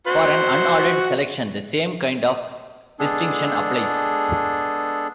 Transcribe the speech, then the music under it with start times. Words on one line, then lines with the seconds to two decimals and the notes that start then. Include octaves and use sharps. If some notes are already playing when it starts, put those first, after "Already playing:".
For an unordered selection the same kind of distinction applies.
0.07 F#4 C5
2.99 G#3 B3 D4 G#4 A4